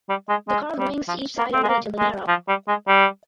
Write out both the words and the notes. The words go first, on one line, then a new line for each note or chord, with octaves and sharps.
The carved wings to each side are relatively narrow.
G3
G#3
G#3
G3
F3
A#3
C4
G#3
A#3
G#3
F3
G3
G#3
G3